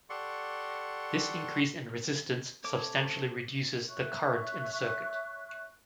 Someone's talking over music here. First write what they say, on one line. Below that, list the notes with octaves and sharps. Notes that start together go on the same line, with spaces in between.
This increase in resistance substantially reduces the current in the circuit.
G4 A4 D5 F#5 C6 C#6
A3 C4 C#5 D6
C#5 E5 C#6 F#6